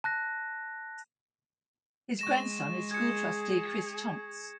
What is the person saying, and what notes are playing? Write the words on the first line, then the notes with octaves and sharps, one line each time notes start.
His grandson is school trustee Chris Tonks.
A5 F#6 A#6
G#3 C#6 A#6 E7
G#4 G#6 C#7